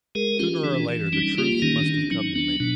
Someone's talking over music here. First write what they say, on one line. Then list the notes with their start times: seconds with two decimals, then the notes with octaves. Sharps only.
Sooner or later the truth must have come to me.
0.15 G#3 G#4 A#4
0.39 C#4 F4 G4
0.64 E3 D4
0.89 E3
1.13 G3 C#4 D#4
1.37 A#3 F4 G4
1.62 D#3 C#4 D#4
1.78 D4
1.86 C#4
1.94 D4
2.11 F#3 C#4 D#4
2.35 B3 D4
2.60 B2 D4